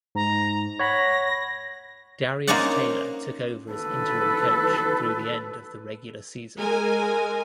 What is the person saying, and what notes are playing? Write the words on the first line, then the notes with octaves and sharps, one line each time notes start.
Darius Taylor took over as interim coach through the end of the regular season.
G#2 A#5
C#5 F#5 B5 A#6
A#3 C#4 D#4 C5 D5 F#5
A4 B4
G#3 A#4 G#5